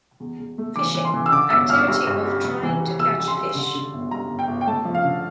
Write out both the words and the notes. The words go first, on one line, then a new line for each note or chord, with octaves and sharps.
Fishing - activity of trying to catch fish.
E2
E2
A3
E3 D6
E3
C6
E3
E6
D3 D6
G1 E6
G1 F6
G2
G2
G3
F1
E3
G3
F1 E6
G3
C6
G3
D3
D3
G1
G2 A#5
G1
G5
G1
G5
A3 A5
F3
F5
D3